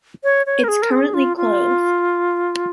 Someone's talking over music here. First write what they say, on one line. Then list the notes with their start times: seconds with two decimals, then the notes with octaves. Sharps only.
It’s currently closed.
0.24 C#5
0.46 C#5
0.64 A#4
0.68 G#4
0.82 A#4
0.91 G#4
1.14 F4
1.37 F4